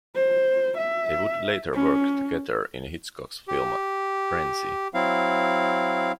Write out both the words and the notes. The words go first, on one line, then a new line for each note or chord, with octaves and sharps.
They would later work together in Hitchcock's film "Frenzy".
C5
E5
C#4
G4
F#3 C4 E4 F5